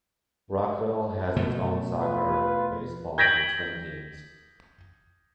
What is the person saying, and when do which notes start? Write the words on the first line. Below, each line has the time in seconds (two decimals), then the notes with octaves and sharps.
Rockville has its own soccer, baseball and swim teams.
1.36 F#2 B2 A3
1.99 F4 B4
3.18 G6 G#6 A#6 B6 D7 F#7